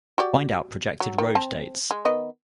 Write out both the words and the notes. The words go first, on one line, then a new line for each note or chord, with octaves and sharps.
Find out projected road dates.
F#4 G4 D5
F#3
D#3
C4 A5
G#3
D#3 B3 D#5